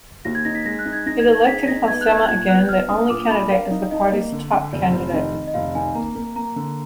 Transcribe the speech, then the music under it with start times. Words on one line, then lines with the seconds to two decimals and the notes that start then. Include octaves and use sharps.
It elected Halsema, again the only candidate, as the party's top candidate.
0.25 D#2 A#6
0.35 G#6
0.45 D#4 A#6
0.55 B6
0.65 G#3 A#6
0.79 F#6
0.85 D#4
0.93 G#6
1.06 D#4 A#6
1.20 G#6
1.27 D#4
1.33 G#6
1.47 G#4 B6
1.67 D#4 A#6
1.87 B3 G#6
2.01 F#6
2.08 D#4
2.14 G#6
2.28 A#2 G#6
2.49 B3 F#6
2.69 B3 F6
2.89 D4 D#6
3.09 A#2 D6
3.30 D4 B5
3.51 A#4 F5
3.71 D#4
3.91 D#4 D#5
4.12 A#3
4.32 D3
4.52 D3
4.73 F1 D5
4.93 F1
5.13 D#3 D#5
5.33 D#3
5.47 D#5
5.54 F1 F5
5.75 D#3 G#5
5.95 A#3 A#5
6.15 A#3
6.36 A#3 A#5
6.56 D3